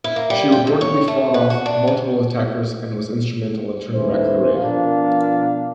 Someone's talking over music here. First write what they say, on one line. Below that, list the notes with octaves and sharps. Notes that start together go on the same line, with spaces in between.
She reportedly fought off multiple attackers and was instrumental in turning back the raid.
E4
A#3
G3
G5
D#2
C#5
A3
B4
F#4
D4
G#2
A1 D#2 A2 E3 C5
B2 F3 D4 F4 A#4 F5